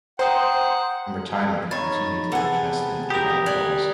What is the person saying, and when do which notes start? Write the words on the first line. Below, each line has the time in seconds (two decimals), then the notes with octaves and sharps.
In retirement, he continued his interest in the outdoors.
0.19 C5 F#5 G5 A#5 D#6
1.71 D#3 C#5 A#5 B5 A6
2.32 C3 B3 G#4 A4 F#5
3.10 G4 A#4 D#6 F7
3.46 G3 F#6 G#6 F#7